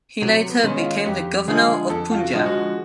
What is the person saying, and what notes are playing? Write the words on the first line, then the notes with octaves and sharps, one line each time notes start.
He later became the governor of Punjab.
C3 F#3
B3
D#3 G#3 C#4
F4
F2 G4
D3 F3 G#3 G#4
F2 A4
F4
F#4
D3 F3 G#3
F#4